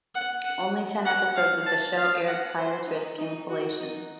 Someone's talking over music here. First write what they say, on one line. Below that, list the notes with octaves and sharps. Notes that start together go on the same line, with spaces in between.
Only ten episodes of the show aired prior to its cancellation.
F#5
F#5
F#5
F5
A5
F5
F#5
C5
D#4
D#4
F#4
D#4